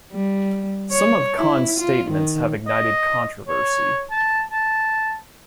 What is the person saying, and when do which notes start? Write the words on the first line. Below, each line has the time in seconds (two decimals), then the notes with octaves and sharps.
Some of Khan's statements have ignited controversy.
0.12 G3
0.91 C#5
1.37 E4
1.79 F4
2.10 D#3
2.67 D#5
3.48 C#5
4.11 A5
4.51 A5